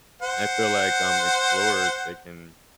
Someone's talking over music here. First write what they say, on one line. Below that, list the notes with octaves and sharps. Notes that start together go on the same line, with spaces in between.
I feel like, um, explorers, they can
C5 F#5